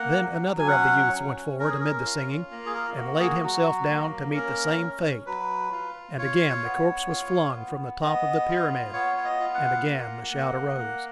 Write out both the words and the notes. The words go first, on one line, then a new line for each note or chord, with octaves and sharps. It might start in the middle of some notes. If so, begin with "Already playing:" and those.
Then another of the youths went forward amid the singing, and laid himself down to meet the same fate; and again the corpse was flung from the top of the pyramid, and again the shout arose.
Already playing: A#3 F#5
F#3
G#5
C#4 F#5
C#4
C#4 A#4
G#4
A#4
F4
A#3
G#4
A#4
F#4
G#4
F#3 F#4
A#3
C#4 A#4
C#4
F#3 B4
F4
F4 C#5
B3
F4
B3
B3 D#5
F4
B3 C#5
C#5
D#5
F4
F#5
A#3
A#3
A#3